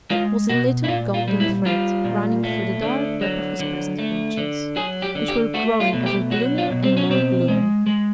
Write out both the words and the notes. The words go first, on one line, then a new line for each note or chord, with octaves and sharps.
It was a little golden thread running through the dark web of his present fortunes; which were growing ever gloomier and more gloomy.
G#3 F4
B2 F#4
E4
A#2 F4
F4
G3
E4
G3 F4
A#2
A3
D3
F#3
D3
A3
D3
F#3 G#4
G4
D3
G4
A3 F#4
F4
B2
G4
F#3 F#4
F4
B2
C4
C#4
B2 C4
G#3
G#3